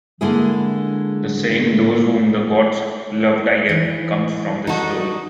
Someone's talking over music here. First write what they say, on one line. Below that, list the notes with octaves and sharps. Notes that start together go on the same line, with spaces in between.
The saying "those whom the gods love die young" comes from this story.
D3 G#3 A#3 E4 G#4
E3
D#4 F#4 A4